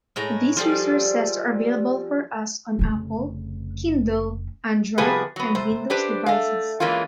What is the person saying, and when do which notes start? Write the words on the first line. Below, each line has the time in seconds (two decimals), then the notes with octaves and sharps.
These resources are available for us on Apple, Kindle, Android, and Windows devices.
0.16 A2 G#3 C#5 A#5
0.57 F3 G3 G#4 A4
2.79 F1 C#3
4.98 C3 F3 G3 B3 G#4 B4
5.36 F#3 B3
5.55 C3 C5
5.90 D4 G4 B4 C5
6.26 A3 F5
6.80 E3 G#3 A#3 C#4 F4